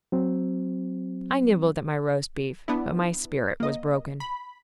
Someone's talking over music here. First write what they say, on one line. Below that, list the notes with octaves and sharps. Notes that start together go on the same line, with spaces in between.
I nibbled at my roast beef, but my spirit was broken.
F#3 C4
B3 D4 E4
A#3 D#5
B5